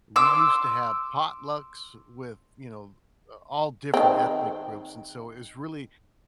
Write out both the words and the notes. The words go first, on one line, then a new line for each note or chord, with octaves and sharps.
we used to have potlucks with, you know, a all different ethnic groups, and so, it was really
C6 D6 E6
D#3 C4